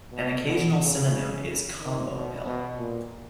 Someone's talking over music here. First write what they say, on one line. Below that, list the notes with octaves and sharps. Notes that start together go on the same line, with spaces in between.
An occasional synonym is "combopill".
B2
B2
C#3
D#3
B2
B2
A#2